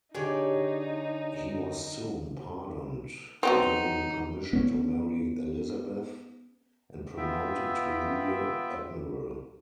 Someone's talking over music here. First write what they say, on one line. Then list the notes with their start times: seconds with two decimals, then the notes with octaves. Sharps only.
He was soon pardoned, given permission to marry Elizabeth, and promoted to Rear Admiral.
0.15 D3 D#4 G4 G#4 C#5 D5
3.43 F#3 B3 C4 D#4
4.53 B3 C#4
7.17 B3 F4 E5 G5